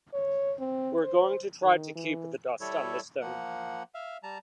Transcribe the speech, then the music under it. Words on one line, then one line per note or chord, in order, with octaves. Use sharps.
We’re going to try to keep the dust on this thing.
C#5
C4
C5
D#3
E3
G3 E4 A4 C#5
F3 A#3 F#5
E5 F5
G3 A5 A#5